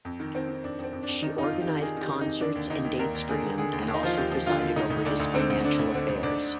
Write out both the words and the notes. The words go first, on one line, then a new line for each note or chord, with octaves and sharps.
She organized concerts and dates for him, and also presided over his financial affairs.
F2
D#3
D#3 C4
D#3
F2 D4
F2 C4
F2
D4
F2
D#3 D#4
F2 D#4 F4
F2
G4
D#3
D#3 G#4
D#3 G4
D#3
F2 D#4
D3 D4
D#2
D#2 D#4
D#2
D#2 A#4
D#2
D3 G#4
D#2
D3 G#4
D#2
D#2
D#4
F3 F4
D#2 G4
F3
D3 F4
D#2
D2 D#4
D2
D2 D4
D2
D3 C4
D2
D3 D4
D2
D3 C4
D2
D2 D4